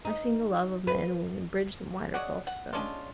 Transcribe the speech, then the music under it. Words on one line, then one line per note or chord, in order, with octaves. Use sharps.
I've seen the love of man and woman bridge some wider gulfs though.
D#4
B4
G#3 C#5 D5 F#5
F#5
G#3 C#4 D4 F4